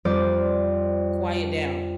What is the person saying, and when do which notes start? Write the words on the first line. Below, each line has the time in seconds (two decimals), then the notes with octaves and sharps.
Quiet down.
0.05 F2 G3 C5 D5